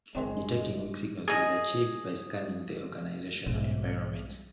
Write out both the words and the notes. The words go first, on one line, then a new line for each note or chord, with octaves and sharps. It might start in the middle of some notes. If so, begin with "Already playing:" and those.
Detecting weak signals is achieved by scanning the organizational environment.
F#1 D#3 G#3 C4 D4 D#5
G#4 D#5
B1 G#2